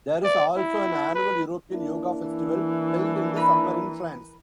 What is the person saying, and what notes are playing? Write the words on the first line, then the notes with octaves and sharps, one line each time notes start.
There is also an annual European Yoga Festival held in the summer in France.
D5
E4
B4
A#3 D4 E4
E3
A#4 B4 B5